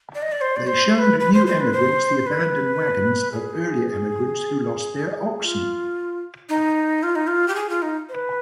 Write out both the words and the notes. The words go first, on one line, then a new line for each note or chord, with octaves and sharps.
They showed new emigrants the abandoned wagons of earlier emigrants who lost their oxen.
D5
D#5
D5
C5
D5
C5
C5
B4
B4
C5
C5
B4
C5
B4
G#4
F4
D#4
F4
D#4
F4
G4
G#4
F4
D#4
C5
B4